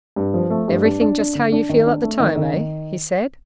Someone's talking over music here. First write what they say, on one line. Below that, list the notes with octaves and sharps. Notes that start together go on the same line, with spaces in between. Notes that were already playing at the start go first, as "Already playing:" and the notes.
'Everything just how you feel at the time, eh?' he said.
G2
F3
A3
G2
D4
D4
D4
D3
D4
D#3
D4
A3
D#3
D#3
D#3